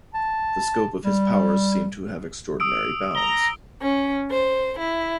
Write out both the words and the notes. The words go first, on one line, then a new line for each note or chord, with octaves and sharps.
The scope of his powers seem to have extraordinary bounds.
A5
G3
D#6 E6 D7
A#5 G7
C#4
C5
E4